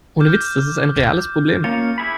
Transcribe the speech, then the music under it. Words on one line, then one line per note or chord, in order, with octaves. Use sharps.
Ohne Witz, das ist ein reales Problem.
D6 F6 G6
A#3 C#4 F4 C#7
E4 G#4 B5